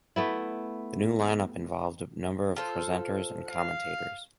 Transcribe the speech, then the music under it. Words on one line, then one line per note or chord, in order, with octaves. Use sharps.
The new line-up involved a number of presenters and commentators.
A3 B3 E4
F4 A4 C5
F5